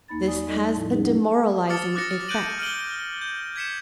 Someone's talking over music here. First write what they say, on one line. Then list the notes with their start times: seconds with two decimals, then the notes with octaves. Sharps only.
This has a demoralizing effect.
0.08 E2 A#3 D#4 B5 A6
0.27 D5 G#5 D#6
0.48 G3 D#4 A4 D#5
0.74 A2 F3 E4
0.90 G3 C#4 D#4 E4 G4 G#4
1.04 F#3 F#5
1.69 D6 D#6 F6 A6 C#7
1.95 D6 F#6 A6 A#6 C#7
2.28 F#6 G6 A6 D7 D#7 F#7
2.59 F6 D7 D#7 F#7 G7
3.21 G6
3.56 G#6 B6 C#7 E7